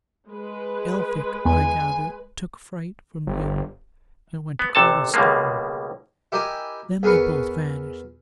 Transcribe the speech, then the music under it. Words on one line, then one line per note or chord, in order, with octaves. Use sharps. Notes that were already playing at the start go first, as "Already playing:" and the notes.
Elphick, I gather, took fright from you, and went to Cardlestone--then they both vanished.
G#3 B4
E2 G#5
G1
B3
A1 C3 A4 A5
C#2 B2 G3 G#3 A#3
E4 G4 A#4 D#5 E5 G#5
E2 G#4 A#4 B4 C#6